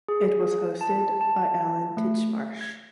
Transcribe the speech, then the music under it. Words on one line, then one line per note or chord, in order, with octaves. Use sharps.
It was hosted by Alan Titchmarsh.
G#4
A5
A5
A3
G#6